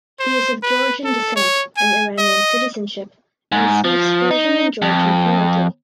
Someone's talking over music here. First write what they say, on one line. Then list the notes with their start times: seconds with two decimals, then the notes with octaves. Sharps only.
He is of Georgian descent and Iranian citizenship and speaks Persian and Georgian fluently.
0.20 C5
0.63 B4
1.05 A4
1.36 C#5
1.77 G#5
2.19 D#5
3.52 G#2
3.84 F3
4.31 D#4
4.82 F2